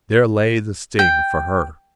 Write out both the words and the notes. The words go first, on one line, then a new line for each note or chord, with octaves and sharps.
There lay the sting for her.
G5